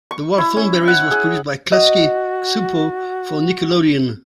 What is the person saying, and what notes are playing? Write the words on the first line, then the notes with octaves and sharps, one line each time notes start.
"The Wild Thornberrys" was produced by Klasky Csupo for Nickelodeon.
C#6
E4
C#4
F#5
G#4
F#4 D#5